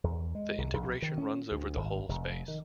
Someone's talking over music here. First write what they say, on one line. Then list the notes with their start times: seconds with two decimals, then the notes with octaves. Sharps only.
The integration runs over the whole space.
0.04 E2
0.35 G#3
0.58 C2
0.73 A#1
1.02 D#3
1.18 C#4
1.52 D2
1.76 G#1
2.09 F1
2.48 D#3